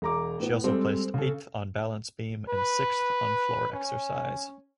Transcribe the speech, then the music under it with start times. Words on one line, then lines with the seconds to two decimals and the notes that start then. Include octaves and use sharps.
She also placed eighth on balance beam and sixth on floor exercise.
0.02 E1 A#5 D6
0.40 A2 B3
0.64 G3 G#3 C4 A4
1.14 C#3 A4
2.49 B4
3.73 C#4